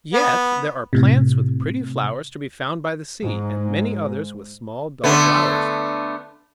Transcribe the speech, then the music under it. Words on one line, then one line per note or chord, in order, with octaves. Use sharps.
Yet there are plants with pretty flowers to be found by the sea, and many others with small, dull flowers.
B3
A2 C3
G#2
D3 A3 B3